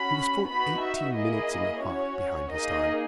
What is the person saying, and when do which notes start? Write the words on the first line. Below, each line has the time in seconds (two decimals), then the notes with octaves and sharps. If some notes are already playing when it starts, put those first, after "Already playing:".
He was full eighteen minutes and a half behind his time.
Already playing: C#4 F#4 B5
0.48 B3 D#4 F#4 B5
0.82 E5
1.16 A#3 E4 G#4 D#5
1.84 C#4 F#4 C#5
2.52 A#3 D#4 G#4 D#5